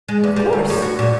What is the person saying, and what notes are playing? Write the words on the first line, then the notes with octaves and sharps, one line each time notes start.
"Of course."
G#3
E2
G3
D2
F#2
F#4
A#2